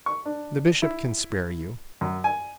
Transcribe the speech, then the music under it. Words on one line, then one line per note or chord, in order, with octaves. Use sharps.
The bishop can spare you.
C#6
D4
E4
F#2
G#5